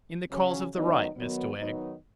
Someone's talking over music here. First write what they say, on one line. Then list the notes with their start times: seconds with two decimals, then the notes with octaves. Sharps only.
'In the cause of the right, Mr Wegg?'
0.31 C#3 F#3 C#4
0.74 D#3 F#3 B3 D#4
1.16 D#3 F#3 B3
1.60 D#3 F#3 B3 D#4